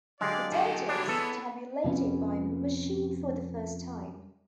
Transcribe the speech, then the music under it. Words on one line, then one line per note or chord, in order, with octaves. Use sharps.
The data was tabulated by machine for the first time.
D3 F#3 G#3 G4 D5 F5
D#3 F#4 G#4 A4
E3 G#3 D4 C#5
B3 A4
F2 C3 B3 C#4